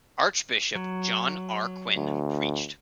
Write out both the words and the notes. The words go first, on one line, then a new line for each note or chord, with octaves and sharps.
Archbishop John R. Quinn preached.
F#3
D2